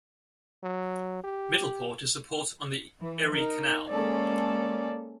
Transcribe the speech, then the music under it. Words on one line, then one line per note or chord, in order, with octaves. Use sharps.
Middleport is a port on the Erie Canal.
F#3
G4
E3
D#4 A#4
G#3 A#3 C#4 A4 D5